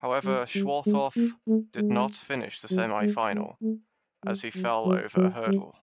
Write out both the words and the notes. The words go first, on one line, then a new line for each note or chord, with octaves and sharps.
However, Schwarthoff did not finish the semi-final as he fell over a hurdle.
G3
G3
G#3
A#3
A3
G#3
F#3
G#3
G#3
A3
G3
F#3
F#3
F#3
G3